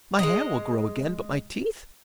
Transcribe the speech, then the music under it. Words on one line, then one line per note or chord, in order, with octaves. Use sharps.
My hair will grow again, but my teeth!
G#3 D#5